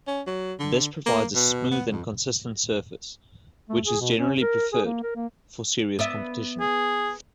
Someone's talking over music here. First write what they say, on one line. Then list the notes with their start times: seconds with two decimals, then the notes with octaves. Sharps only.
This provides a smooth and consistent surface, which is generally preferred for serious competition.
0.07 C#4
0.27 F#3
0.59 D3
1.06 A#3
1.35 B2
1.71 B3
1.91 F2
3.69 A3
3.86 G#4
4.00 B2
4.18 C#4
4.41 A#4
4.73 G#4
4.85 A#3
5.03 A#4
5.15 A#3
5.99 B3 D5 E5
6.60 G#4